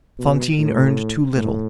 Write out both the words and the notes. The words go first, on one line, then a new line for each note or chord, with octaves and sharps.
Fantine earned too little.
B2
A2
A2